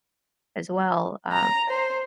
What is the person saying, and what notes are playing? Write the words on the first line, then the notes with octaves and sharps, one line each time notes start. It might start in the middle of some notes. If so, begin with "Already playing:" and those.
as well, um
A#5
C5